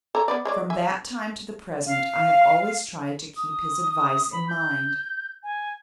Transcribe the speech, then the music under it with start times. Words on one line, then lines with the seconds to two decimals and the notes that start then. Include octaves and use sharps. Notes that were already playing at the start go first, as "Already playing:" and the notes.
From that time to the present I have always tried to keep his advice in mind.
0.15 A4 C#5 A#5
0.28 B3 B4 D5
0.45 G#3 C#5 D5
0.70 E5 G#5
1.86 F5
3.37 D#6
4.33 B5
4.48 G6
5.43 G#5